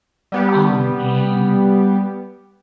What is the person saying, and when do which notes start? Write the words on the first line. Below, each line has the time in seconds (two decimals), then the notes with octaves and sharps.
Oh, man.
0.32 G3 B3 G4